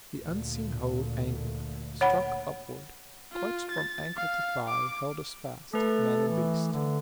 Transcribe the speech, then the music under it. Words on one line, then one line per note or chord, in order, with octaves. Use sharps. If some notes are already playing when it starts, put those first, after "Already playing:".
The unseen hold angled; struck upward; clutched from ankle to thigh; held us fast--men and beast.
D2 A#2
C#5 F#5 B5
F4
A6
F5
D6
A3 A4 B4
E3
D3